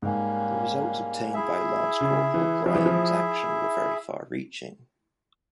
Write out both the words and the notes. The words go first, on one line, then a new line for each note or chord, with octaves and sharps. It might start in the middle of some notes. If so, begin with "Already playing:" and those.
The results obtained by Lance-Corporal Bryan's action were very far-reaching.
G#2 G3 A#3 C#4
E4 G#4 E5
C#3
E3
F3 E4 G#4 E5
E3
F3